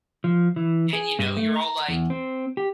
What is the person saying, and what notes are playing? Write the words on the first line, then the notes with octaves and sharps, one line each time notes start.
and, you know, you're all, like
F3
E3
G#4
G2
A3
A#5
E2
C4
G4